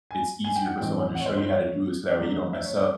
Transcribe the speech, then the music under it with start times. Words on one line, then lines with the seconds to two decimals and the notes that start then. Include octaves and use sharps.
It's easier for someone to show you how to do it, so that way you don't mess up,
0.11 G#5
0.44 G#5
0.56 G5
0.66 F#5
0.78 A2 E3 G3 C4 D#4 G5
1.15 F#5
1.20 C#5
1.26 C5
1.37 C5
1.49 C#5
2.19 D3 F#3 A3 D5
2.36 D#5
2.53 E5
2.66 C#5
2.76 C#5